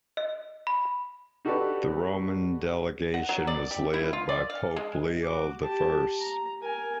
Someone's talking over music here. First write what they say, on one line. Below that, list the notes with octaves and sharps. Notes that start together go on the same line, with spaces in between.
The Roman delegation was led by Pope Leo I.
D#5
B5
D#4 F#4 G4 A4 B4 D5
F#5
F#3
D5
G4
E4
F4
D5
F5
G#3
F#4 D6
G4 A5
A#5
A#4 G#5